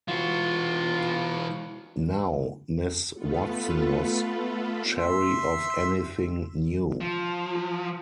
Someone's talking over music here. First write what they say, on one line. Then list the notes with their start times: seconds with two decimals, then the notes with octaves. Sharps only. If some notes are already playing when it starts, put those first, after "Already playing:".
Now, Miss Watson was chary of anything new.
0.08 E3 F4 F#4
3.14 A3 B3 F4 A4 B4
4.98 E5 C6
7.01 F3